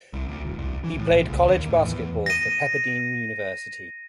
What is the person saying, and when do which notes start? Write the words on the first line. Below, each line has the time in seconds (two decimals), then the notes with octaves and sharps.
He played college basketball for Pepperdine University.
0.13 C2
0.28 D2
0.45 E1
0.58 C2
0.84 E3
0.98 A2
1.10 A#1
1.28 C#2
1.47 D#2
1.69 A2
1.84 E2
2.26 A#6 D#7